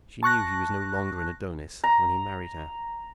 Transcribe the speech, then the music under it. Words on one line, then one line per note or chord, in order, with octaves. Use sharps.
"She knew he was no longer an Adonis when he married her."
A5 C#6 F#6 A#6
A#5